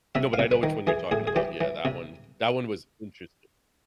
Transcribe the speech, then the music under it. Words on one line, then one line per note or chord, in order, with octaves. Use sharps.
no, but I know which one you're talking about. Yeah. That one that one was interesting.
C3 E5
F5
C3
B4
D#3
E3 G#4
A2 G#4
G#4
E3 G4
E3
C3